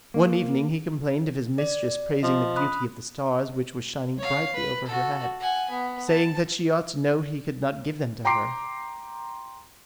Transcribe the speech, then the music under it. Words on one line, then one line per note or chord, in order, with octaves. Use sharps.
One evening he complained of his mistress praising the beauty of the stars which were shining brightly over her head, saying that she ought to know he could not give them to her.
A#3
D5
F3 D#5
B5 D#6 F#6
C#5 F5
B4
F#4 A4
F#5 G#5
B3
A5
G5 A#5 C6 D6 C7 D7